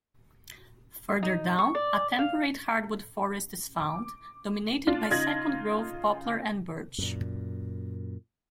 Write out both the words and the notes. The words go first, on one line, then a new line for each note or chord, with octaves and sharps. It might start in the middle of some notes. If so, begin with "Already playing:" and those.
Further down, a temperate hardwood forest is found, dominated by second-growth poplar and birch.
D#4
C#6
D5
F5
D6
D4 F4
C#3 D#4 F4 G#6 A#6 F#7
F#2 A#2